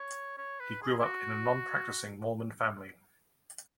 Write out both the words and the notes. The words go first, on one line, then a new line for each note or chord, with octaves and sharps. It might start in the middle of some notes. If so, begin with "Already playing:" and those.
He grew up in a nonpracticing Mormon family.
Already playing: C#5
C#5
B4
G#4
E4
F#4